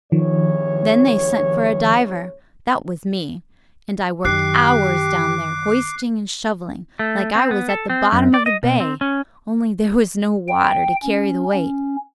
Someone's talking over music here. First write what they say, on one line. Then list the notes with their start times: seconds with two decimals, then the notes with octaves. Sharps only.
Then they sent for a diver--that was me--and I worked hours down there hoisting and shoveling, like I was at the bottom of the bay, only there was no water to carry the weight.
0.12 E2 G2 D#3 F3 C#5
4.25 F#2 D#3 G4 D6 F#6 C7
6.99 A3
7.35 C4
7.51 B3
7.69 A4
7.90 C4
8.12 F#2
8.34 D5
8.46 D#5
8.63 B2
8.80 C4
9.01 C#4
10.48 G5
11.03 C#4
11.53 C#4